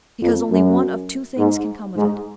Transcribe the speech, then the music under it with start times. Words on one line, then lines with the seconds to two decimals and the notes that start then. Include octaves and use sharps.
"Because only one of two things can come of it."
0.22 F2
0.51 F#2
1.38 G#2
1.96 G#2